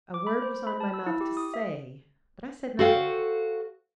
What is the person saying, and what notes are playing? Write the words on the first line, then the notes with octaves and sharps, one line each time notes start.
A word was on my mouth to say, but I said nothing.
D6
B5
C5
B5
A5
E6
E4
G4
D#6
E5
F#4 A4 C5 F5 G5